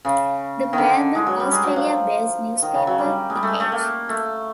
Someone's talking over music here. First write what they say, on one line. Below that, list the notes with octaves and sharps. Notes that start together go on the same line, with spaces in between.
The Melbourne, Australia-based newspaper, "The Age".
C#3
D#3
D3
G#3
F#3
G3
G#3
F#3
F3
D#3
C#3
F#3
G3
G#3
G3
A3
G#3
A3
A#3
A3